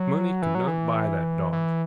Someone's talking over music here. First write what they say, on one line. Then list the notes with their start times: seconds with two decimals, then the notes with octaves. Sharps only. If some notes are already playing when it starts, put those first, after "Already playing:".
Money could not buy that dog.
Already playing: F#3
0.42 E3
0.55 F#3
0.68 E3
1.53 E3